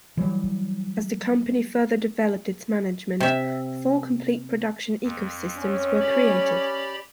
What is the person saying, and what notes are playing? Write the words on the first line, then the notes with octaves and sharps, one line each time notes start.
As the company further developed its management, four complete production ecosystems were created.
E3 F#3 G3
C3 E5
F2
C#4
G4 D5 B5